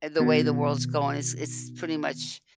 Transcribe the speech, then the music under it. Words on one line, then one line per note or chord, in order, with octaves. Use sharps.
eh, the way the world's going, it's it's pretty much
B2 D#3